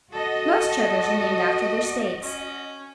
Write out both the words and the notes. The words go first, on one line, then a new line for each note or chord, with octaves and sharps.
Most Cheddars are named after their states.
F#4 A4 D#5
C#4